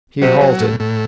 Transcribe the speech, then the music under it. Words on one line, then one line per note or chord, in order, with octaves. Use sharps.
He halted.
C3 F#3
F#3
A2
A2